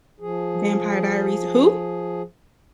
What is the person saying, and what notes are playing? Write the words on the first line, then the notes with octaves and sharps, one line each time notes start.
Vampire Diaries Who?
F3 G#4